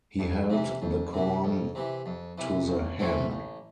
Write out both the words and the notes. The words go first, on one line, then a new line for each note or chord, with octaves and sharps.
He held the corn to the hen.
F2
C3 E3
F2
C3 E3
F2
C3 E3
F2
C3 E3
A1
A2 E3 A3 C4
A1